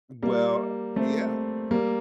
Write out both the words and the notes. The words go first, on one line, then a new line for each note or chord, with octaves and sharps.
Well, yeah
G3 A#3
A3 C4
G3 A#3